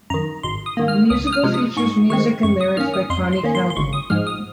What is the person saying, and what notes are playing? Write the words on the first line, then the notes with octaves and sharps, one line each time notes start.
The musical features music and lyrics by Connie Kaldor.
F#2 D#3 A#5
G#1 C6
D#6
G#2 D#3 A#3
F6
C#2 D#6
D#6
F6
C3 F3 G#3
D#6
G#2 C#6
D#3 G#3 C4 C#6
F#2 C#6
D#6
D#3 A#3 C#4 F6
D#6
F2 C6
C6
D#3 A#3 C#4
C6
C6
G#1 C#6
D#6
G#2 F3 G#3 F6
D#6